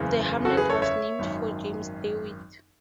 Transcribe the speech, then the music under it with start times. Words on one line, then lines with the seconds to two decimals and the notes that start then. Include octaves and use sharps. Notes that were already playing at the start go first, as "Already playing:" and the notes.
The hamlet was named for James DeWitt.
Already playing: F#1 E2 C#3
0.45 F#4 A4
0.57 G#4 B4
0.70 A4 C#5
0.82 C#5 E5
1.19 G#1 F#2 D#3